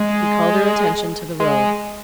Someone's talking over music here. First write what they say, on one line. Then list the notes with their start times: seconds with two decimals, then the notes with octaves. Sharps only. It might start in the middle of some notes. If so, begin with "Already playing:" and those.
He called her attention to the road.
Already playing: G#3
1.40 G#3